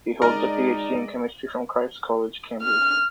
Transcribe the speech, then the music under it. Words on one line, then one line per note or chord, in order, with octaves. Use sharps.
He holds a PhD in chemistry from Christ's College, Cambridge.
G#3 D#4 A#4 D5 D#5
F6